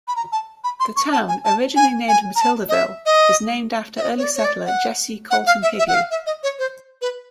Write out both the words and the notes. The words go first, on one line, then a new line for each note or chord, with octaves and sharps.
The town, originally named Matildaville, is named after early settler Jesse Colton Higley.
B5
A#5
A5
B5
C6
C#6
A5
G#5
A5
G#5
G#5
A#5
A5
D#5
E5
D#5
E5
D#5
C#5
D5
C#5
D5
F#5
F#5
F5
E5
E5
F#5
F5
E5
D#5
C#5
C5
B4